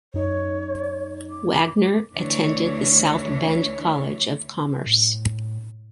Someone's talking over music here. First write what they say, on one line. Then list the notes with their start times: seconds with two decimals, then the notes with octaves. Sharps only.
Wagner attended the South Bend College of Commerce.
0.14 F#2 D#4 C#5
1.30 D6
2.14 D2 E3 D4 C#5
4.86 A2